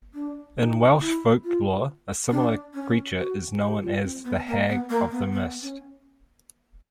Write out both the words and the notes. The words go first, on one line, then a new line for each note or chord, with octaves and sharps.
In Welsh folklore, a similar creature is known as the hag of the mist.
D4
D#4
E4
F4
D4
C#4
F#4
G4
F4
C4
B3
A#3
B3
A#3
B3
B3
C#4